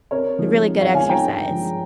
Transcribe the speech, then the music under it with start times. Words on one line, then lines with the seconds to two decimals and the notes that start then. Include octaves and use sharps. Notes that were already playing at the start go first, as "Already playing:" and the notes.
Really good exercise.
0.11 C3 A#4 C#5
0.39 F3 G#3 D#4
0.67 C3
0.81 C#5 F5
0.95 F3 G#3 D#4 F5 G#5
1.09 G5 A#5
1.23 G2
1.51 F3 G#3